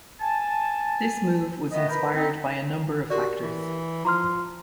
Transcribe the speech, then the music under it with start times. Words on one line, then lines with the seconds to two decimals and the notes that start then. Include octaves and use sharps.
This move was inspired by a number of factors.
0.21 G#5 A5
1.72 D#3 A3 B3 D#5
1.89 A#4 B4 G5 A#5 B5
2.14 C4 D#4
3.10 F#4 G4 A#4 D5
3.42 E3
4.05 F3 A#5 C6 F6